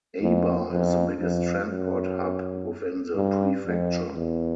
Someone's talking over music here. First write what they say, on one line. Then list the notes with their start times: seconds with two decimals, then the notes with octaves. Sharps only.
Aba is the biggest transport hub within the prefecture.
0.22 F2
0.71 F2
1.21 F2
1.69 F#2
3.16 G2
3.66 F2
4.15 E2